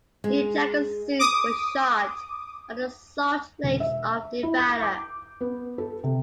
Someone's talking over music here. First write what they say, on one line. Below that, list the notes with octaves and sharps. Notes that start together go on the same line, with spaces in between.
Dean Jagger's scenes were shot on the Salt Lakes of Nevada.
G#3
D6 D#6
E1
E5
E4
G6
D6
B3
A4
C3